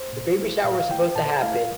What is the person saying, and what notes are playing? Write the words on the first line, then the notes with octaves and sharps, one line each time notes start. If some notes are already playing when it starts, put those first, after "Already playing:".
the baby shower was supposed to happen,
Already playing: C5
A#2
A3 E4
A#2 F5
F5
A3 E4 G5
A#2 A5
A3 E4 F5